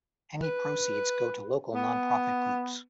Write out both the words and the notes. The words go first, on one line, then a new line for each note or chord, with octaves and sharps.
Any proceeds go to local non-profit groups.
B4
B3